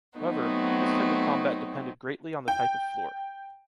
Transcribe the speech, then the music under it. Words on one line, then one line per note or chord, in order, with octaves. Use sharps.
However, this type of combat depended greatly on the type of floor.
F#3 A3 B3 C4 D#4
G5